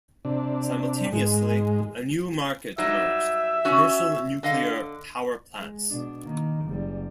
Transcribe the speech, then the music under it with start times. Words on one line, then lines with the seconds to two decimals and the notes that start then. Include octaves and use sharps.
Simultaneously, a new market emerged: commercial nuclear power plants.
0.25 C3 D4
1.12 G#2 G#3
2.78 F#3 G3 D#4 E5
3.65 C#4 F#4
4.43 D3 D#5 F5
5.58 G#3
5.90 B2 D4
6.24 D#3 A#3
6.66 F#1 G3